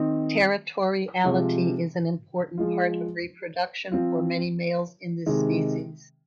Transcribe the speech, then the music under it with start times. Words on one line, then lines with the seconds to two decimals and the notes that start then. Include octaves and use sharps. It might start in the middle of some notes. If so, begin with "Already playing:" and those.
Territoriality is an important part of reproduction for many males in this species.
Already playing: D#3 C4 D#4
1.24 C3 F3 G#3 F4
2.58 F3 G#3 F4
3.92 F3 C4 F4
5.26 C3 D#3 G#3